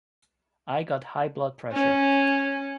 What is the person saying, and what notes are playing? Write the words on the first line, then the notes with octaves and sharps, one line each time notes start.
I got high blood pressure.
C#4